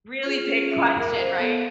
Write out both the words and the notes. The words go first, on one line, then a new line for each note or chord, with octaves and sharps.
Really big question. Right?
C#4 F4 G#4
E5
A#4
C5 D#5 F5
B3 A4